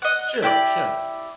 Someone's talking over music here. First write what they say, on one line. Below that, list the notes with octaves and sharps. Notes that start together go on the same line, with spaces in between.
Sure, sure.
D#5 F#5
E4 G4 C#5 D5